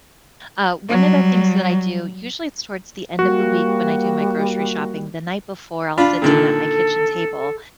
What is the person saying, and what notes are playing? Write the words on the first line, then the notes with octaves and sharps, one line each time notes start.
Uh, one of the things that I do, usually it's towards the end of the week when I do my grocery shopping the night before, I'll sit down at my kitchen table,
F#3 G3
G3 A#3 F#4
D4 F4 B5
A#2 D3 D#3 A4